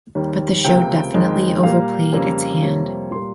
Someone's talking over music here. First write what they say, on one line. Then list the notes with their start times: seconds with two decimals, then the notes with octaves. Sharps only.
But the show definitely overplayed its hand.
0.15 D#2 D#3 G3
0.64 C#2 C3 F3 A#3 G5
1.14 F2 D#3 G#3
1.63 A#2 G3 A#3 F5
2.12 F2 C#3 G3 A#3
2.62 F2 C3 G3 A#3 C#5
3.11 A#2 G3 A#3 C6